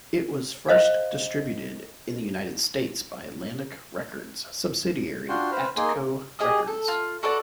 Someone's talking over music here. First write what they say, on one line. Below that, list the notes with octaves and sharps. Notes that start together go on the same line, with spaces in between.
It was first distributed in the United States by Atlantic Records subsidiary Atco Records.
C5 D#5 F5
D4 F4 F#4 G5 C6
B4 C5 F6
A#3 D#4 G#4 C6
G4 G#4 D#5 D#6
A4
F4
F#4 A4 B4 D5